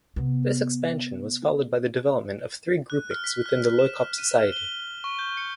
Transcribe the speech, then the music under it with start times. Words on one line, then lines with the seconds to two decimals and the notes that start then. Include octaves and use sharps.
This expansion was followed by the development of three groupings within the Loikop society.
0.16 C3 B3
2.90 F#6
3.11 F6
3.24 B6
3.46 F#6
3.79 E7
4.18 D#7
4.37 F6
4.52 G7
5.04 C#6
5.19 G6
5.37 C#7